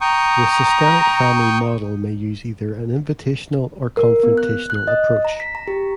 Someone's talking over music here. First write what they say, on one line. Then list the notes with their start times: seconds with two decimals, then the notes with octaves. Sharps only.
The Systemic Family Model may use either an invitational or confrontational approach.
0.01 G5 A#5 C#6 D#6
3.97 A#4
4.23 B3
4.38 F#6
4.70 F#6
4.87 D#5
5.25 A#5
5.40 B6
5.55 A#5
5.67 G4